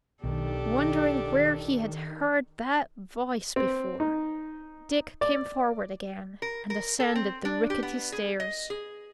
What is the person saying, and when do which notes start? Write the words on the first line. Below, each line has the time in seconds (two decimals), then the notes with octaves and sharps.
Wondering where he had heard that voice before, Dick came forward again and ascended the rickety stairs.
0.23 B1 D#3 D4 G4 A4
3.56 C4
4.00 D#4
5.21 D5
6.42 A#4
6.70 A#4
7.00 A4
7.15 C4
7.45 D4
7.70 G4
7.83 B3
8.12 G#4
8.40 D#5
8.70 G#4